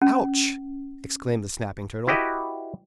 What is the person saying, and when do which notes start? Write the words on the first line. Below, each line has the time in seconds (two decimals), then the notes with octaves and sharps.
"Ouch!" exclaimed the Snapping Turtle.
0.02 C#4
2.07 E4 F#4 G4 B4 D#5